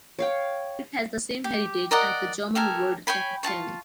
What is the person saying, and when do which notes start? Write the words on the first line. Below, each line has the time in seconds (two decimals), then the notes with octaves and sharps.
It has the same heritage as the German word “Kapitell”.
0.19 C#5 F5 G5
1.44 G4
1.91 A#4 D5 D#5 F#5
2.55 G4 A4 A#4 G#5
3.07 C#5 G5 G#5 B5
3.43 F4 F#4 A5 C#6